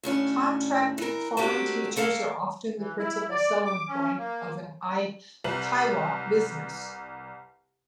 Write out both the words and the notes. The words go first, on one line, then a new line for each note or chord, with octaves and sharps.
Contracted foreign teachers are often the principal selling point of an eikaiwa business.
D#2 A2 C#4 D4
E3 A#4
A3 A#3 C4 D4 F#4 G4
A3 A#3 A4 A#4 F5
E3
E4
D5
D6
C#4
A#3
C2 B4 F#7